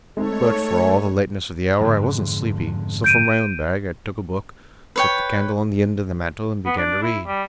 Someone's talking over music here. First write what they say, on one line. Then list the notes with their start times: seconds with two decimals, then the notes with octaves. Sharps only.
But, for all the lateness of the hour, I wasn't sleepy; so from my own bag I took a book, set the candle on the end of the mantel, and began to read.
0.17 G#3 A3 C4 D#4 A4 C#5
1.81 F2 G#2 D3
3.04 G6 D7 D#7
4.96 B4 C#5 G5
6.66 B3
6.78 D4
7.02 E4
7.27 G3